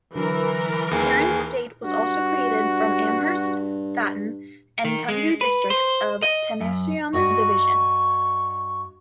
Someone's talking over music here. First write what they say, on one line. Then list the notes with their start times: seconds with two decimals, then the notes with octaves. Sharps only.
Karen State was also created from Amherst, Thaton, and Toungoo Districts of Tenasserim Division.
0.15 D3 E3 F#3 A#4
0.91 D#2 G#4
1.84 G2 F#4
4.85 D#3
5.09 G#3
5.41 B4
5.70 C5
6.22 D#5
6.61 F#2
7.13 G2 F#4 D#5 C#6